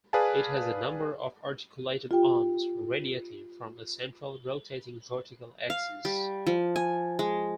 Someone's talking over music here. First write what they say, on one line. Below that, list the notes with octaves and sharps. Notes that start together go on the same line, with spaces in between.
It has a number of articulated arms radiating from a central rotating vertical axis.
G#4 B4 D5 F5 G#5 A5
F4 G4 G5
F5
G3
F3
G#5
G#3